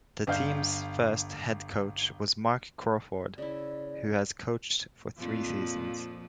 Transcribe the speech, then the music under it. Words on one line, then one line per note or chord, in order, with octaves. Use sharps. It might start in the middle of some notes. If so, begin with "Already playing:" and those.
The team's first head coach was Marc Crawford, who has coached for three seasons.
G1 F5 G6
C#3 E4 D5
F2 A#2 F3